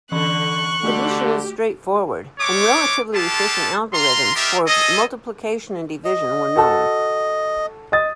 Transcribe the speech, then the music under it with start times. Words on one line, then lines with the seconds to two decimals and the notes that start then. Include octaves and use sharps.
Addition is straightforward, and relatively efficient algorithms for multiplication and division were known.
0.12 D3 E3 B5 C#6 F#6
0.83 D3 A3 F#4 G4
2.39 G#3 A3 C#5 D6
3.14 G#3 F4 G4 A4 A5
3.93 F4 A#5 C6
4.35 D#4 F4 G4 A#4 E5
4.67 G#4 A4 D#5
6.04 D#5
6.56 F#4 A4 A5
7.92 D#5 D#6 A6